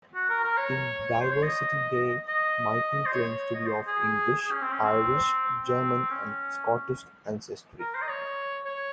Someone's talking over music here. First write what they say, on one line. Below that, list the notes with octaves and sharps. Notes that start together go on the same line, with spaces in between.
In "Diversity Day", Michael claims to be of English, Irish, German and Scottish ancestry.
F#4
A#4
A#4
C#5
C5
C#5
D#5
D#5
C5
C#5
D#5
C5
G#4
G#4
C#4
C4
C#4
C4
C4
C#4
A#4
C5
D#5
C#5
C#5